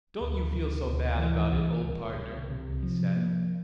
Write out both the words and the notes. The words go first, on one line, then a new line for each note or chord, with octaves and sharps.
"Don't you feel so bad about it, old partner," he said.
D2
C3
D2
E3
C2
C2
C2
C3
F3
A#3